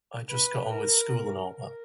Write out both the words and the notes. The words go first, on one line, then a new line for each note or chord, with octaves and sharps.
I just got on with school and all that.
B4
A#4
A#4